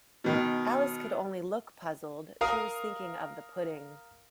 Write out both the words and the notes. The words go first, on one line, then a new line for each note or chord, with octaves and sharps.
Alice could only look puzzled: she was thinking of the pudding.
B2 D#3
A#4 F5 D#6